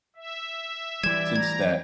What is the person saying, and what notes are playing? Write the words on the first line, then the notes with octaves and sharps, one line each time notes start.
since that
E5
E3 G3 D5 G#6 E7
A#5 G#6